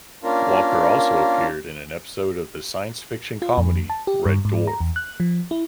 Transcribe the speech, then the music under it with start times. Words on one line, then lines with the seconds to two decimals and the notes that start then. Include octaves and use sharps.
Walker also appeared in an episode of the science fiction comedy "Red Dwarf".
0.24 A#3 C#4 D4 F4 A#4
3.42 F4
3.58 F2
3.90 A5
4.07 G4
4.26 G2
4.45 G#2
4.67 A#5
4.80 E2
4.96 F#6
5.20 F3
5.51 E4